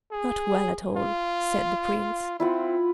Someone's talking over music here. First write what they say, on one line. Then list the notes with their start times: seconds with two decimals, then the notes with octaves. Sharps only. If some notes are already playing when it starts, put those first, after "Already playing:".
'Not well at all,' said the Prince.
0.11 G#4
0.96 F4
2.40 C4 E4 F4 F#5